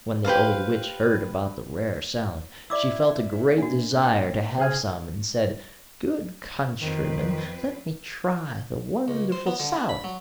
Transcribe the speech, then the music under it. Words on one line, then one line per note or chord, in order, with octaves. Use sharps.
When the Old Witch heard about the rare salad, she felt a great desire to have some, and said: 'Good countryman, let me try the wonderful salad!'
G4 B4 C5 F5
E4 D5 D6 E6
A#2 A#3 D4 F#4
G5
C#3 G#4 C5 G#5 F6
F2 D#3 C4 B4
C#2
C5
B3
D3
D4
B5
F#3